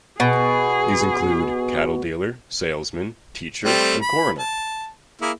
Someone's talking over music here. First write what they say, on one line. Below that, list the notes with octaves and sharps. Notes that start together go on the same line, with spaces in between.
These include: cattle-dealer, salesman, teacher, and coroner.
B2 G#4
G3 A3 C4
B5
A5
A#3 E4 G#4